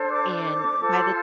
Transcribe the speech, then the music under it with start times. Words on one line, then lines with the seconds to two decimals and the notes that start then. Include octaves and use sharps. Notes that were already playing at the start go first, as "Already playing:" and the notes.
and by the
Already playing: D4 A4 C5
0.10 D6
0.79 F4 A4 C5